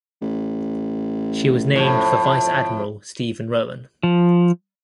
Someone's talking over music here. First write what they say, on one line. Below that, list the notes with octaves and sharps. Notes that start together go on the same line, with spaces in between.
She was named for Vice Admiral Stephen Rowan.
A1
F2 A2
F3